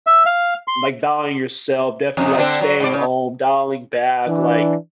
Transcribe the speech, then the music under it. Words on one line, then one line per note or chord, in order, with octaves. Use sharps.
like, valuing yourself, definitely, like, staying home, dialing back, like,
E5
F5
C6
F2 A#2
D3 C4 D4
F#3
G#2 D5
C#3
E3 D4